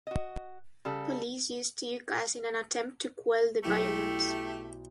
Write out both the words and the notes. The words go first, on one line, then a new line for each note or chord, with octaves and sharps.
Police used tear gas in an attempt to quell the violence.
F#4 D#5
C#3 G3 A4
B1 A3 E4 G4 B6